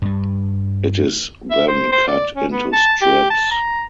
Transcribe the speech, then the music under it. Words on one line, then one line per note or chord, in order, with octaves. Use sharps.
It is then cut into strips.
G2 G3
E5
C5
C5
D5
C#4
B3
A5
G4
A5
A#5